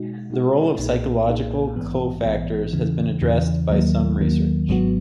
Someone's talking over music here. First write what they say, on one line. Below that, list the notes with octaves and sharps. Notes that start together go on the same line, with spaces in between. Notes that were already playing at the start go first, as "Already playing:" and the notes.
The role of psychological co-factors has been addressed by some research.
Already playing: B2 G#3 D#4 F#4
B2 G#3 D#4 F#4
B1 A#2 A#3 D#4 G#4
B1 A#2 A#3 D#4 G#4
A#1 G#2 E3 B3
A#1 G#2 E3 B3
E2 C#3 E3
E2 C#3 E3
D#2 D#3 F#3 A#3
D#2 D#3 F#3 A#3
G#1 G#2 F#3 B3 F#4